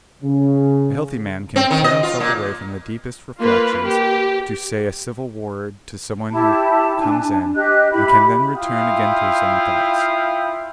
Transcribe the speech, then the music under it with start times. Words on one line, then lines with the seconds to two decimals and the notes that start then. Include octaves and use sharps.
A healthy man can tear himself away from the deepest reflections to say a civil word to someone who comes in and can then return again to his own thoughts.
0.23 C#3
1.56 C4
1.71 D#3
1.84 D#5
2.03 F4
2.20 A#2
3.40 A#3 F4 B4
3.85 G4
6.30 E4 G4 A5
6.99 D4 G#5
7.55 G4 D#5 F#6
7.91 E4 G4 B5
8.55 E4 F4 F5 G5 D#6